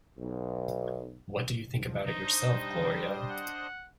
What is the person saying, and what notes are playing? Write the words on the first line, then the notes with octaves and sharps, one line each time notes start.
What do you think about it yourself, Gloria?
B1
D#2 G#2 F3
D4 D#4 C5 D#5
G3
F#5